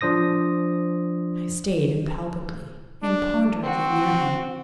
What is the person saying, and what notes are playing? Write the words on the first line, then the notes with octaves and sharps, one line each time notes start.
I stayed impalpably, imponderably near him.
F3 D4 C5 D#6 A#6
D4
C4 F#4